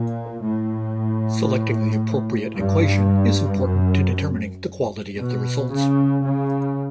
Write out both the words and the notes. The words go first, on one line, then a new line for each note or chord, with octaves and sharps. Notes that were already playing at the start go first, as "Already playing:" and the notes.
Selecting the appropriate equation is important to determining the quality of the results.
Already playing: A#2
A2
G2
F#2
B2
C#3
C#3